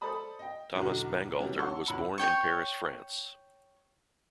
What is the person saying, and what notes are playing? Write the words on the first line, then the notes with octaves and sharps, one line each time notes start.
Thomas Bangalter was born in Paris, France.
A4 C5 D5 A5 B5 D#6
D#5 G5
B1 E2 D3 F#4
C3 E3 G3 C#4 F#4
C#5 F#5 A5 C6 C#6 E6
E2 C#4 B5 E6 C#7 F#7
C#5 G5 C#6